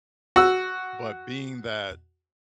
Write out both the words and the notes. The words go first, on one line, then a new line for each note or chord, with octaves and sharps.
but being that
F#4 E6